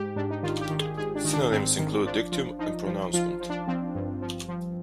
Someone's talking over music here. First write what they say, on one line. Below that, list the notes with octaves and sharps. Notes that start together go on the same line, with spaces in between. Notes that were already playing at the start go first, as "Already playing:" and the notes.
Synonyms include dictum and pronouncement.
Already playing: G#2 G4
G#2 D4
D#4
D#3 F4
G4
D#3
G#4
G#2 G#4
D4
D#3
D4
G#2 C4
D#3
F3 D4
F3
F3 D#4
F3
F3 F4
F3
D4
F3 C4
G2
F3
F3